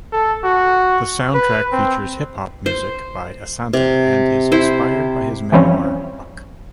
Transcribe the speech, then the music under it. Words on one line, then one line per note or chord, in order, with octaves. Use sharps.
The Soundtrack features hip-hop music by Asante and is inspired by his memoir "Buck".
A4
F#4
B4
C4
C5
C3
E4 C5
E3 F3 G3 C4 C#4